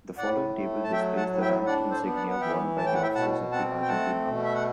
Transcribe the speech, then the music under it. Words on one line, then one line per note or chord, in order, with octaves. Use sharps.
The following table displays the rank insignia worn by officers of the Argentine Army.
A2 D5 F#5
A3
A5
F#3 E5 G5
F#5 A5
A2
E5 G5
D4 D5 F#5
A4 C5
B3
D5 F#5
F#5
E3 E5 G5
A2 A5
G5
F#5
E5 G5
B2 F#5 A5
C4 F#5 A5
G5
A3 F#5 A5
B2
E5
F#5